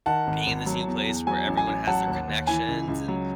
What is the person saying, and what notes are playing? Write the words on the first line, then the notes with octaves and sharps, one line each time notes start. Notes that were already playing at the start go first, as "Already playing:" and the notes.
being in this new place where everyone has their connections, and,
D#3 F#5 A5
G#1
G#1
F#3
E2
E2
F#3 G#5
A1
G#5
A1
F#3 F#5 A5
D#2
D#2
E3 G#5
C#2
C#2
F#3